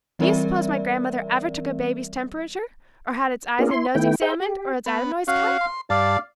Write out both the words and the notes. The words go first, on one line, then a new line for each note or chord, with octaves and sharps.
Do you suppose my grandmother ever took a baby's temperature, or had its eyes and nose examined, or its adenoids cut?
E3 G3 C4 A#4 D5 E5
A#3 B3 D4 F4 G#4 A#4
E4 C6
D#3 A3 B3 E4 G5
G#4 C5 E5 G5 G6
G4
B3
C#4 F#4 F5
C6
G2 D5 F5 A5